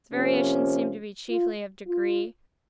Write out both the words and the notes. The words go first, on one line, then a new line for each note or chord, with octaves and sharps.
Its variations seem to be chiefly of degree.
C3 F3 A#3 C#4
F4
F4